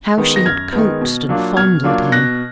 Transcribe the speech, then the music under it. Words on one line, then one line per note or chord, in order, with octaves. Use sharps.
How she had coaxed and fondled him!
D#3 G#3 B3
A#6
F#2 F6 G#6
D#3 G#3 B3
B2
F#3 A#3 D4 F4
B2 F6 G#6
F#3 A#3 D4 F4
B2 F#6 A#6